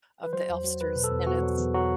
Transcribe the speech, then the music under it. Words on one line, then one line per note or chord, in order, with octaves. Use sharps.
of the Elfsters and it's
B4
F#3 C5
E2
F#3
E2 B4
B2
A4
E2
E2 F#4
F#3
E2
F#3 F#4